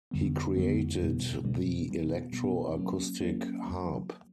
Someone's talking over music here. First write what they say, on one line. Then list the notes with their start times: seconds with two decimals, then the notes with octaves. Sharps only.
He created the electro-acoustic harp.
0.11 F2 D3 G3 B3
0.56 F2 D3 G3 B3
1.00 B2 G3 B3
1.45 B2 G3 B3
1.89 B2 G3 B3
2.33 B2 G3 B3
2.77 F#3 A#3 C#4
3.21 F#3 A#3 C#4
3.66 F#3